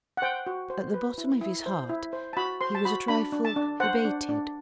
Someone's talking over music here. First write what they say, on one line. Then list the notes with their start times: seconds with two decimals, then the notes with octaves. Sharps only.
At the bottom of his heart, he was a trifle hebetated.
0.17 F#5
0.22 C5 G5
0.47 F#4
0.70 C5
0.94 B4
1.18 E4
1.41 E4
1.66 C5
1.89 E4
2.13 C5
2.33 A5
2.37 F#4 B5
2.61 C5 C6
2.75 A5
2.85 F#4 B5
3.08 D4 B5
3.33 D4
3.45 A5
3.56 D4
3.80 C5 F#5
4.05 D4
4.29 D4